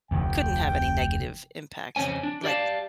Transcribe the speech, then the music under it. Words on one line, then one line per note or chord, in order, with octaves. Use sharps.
couldn't have any negative impact, like
F1 D2 G5
F2 C#3 C4 C#4 G#5
D4
G4 D5 D#5 F5 A5